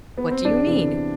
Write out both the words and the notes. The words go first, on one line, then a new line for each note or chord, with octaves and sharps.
"What do you mean?"
B3
C4
E2 D4
C3 E3